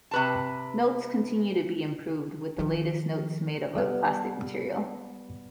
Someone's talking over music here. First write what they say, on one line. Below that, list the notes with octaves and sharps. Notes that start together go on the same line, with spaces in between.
Notes continue to be improved, with the latest notes made of a plastic material.
C3 B4 A5
D#3 F3
G3 B3 A4 B4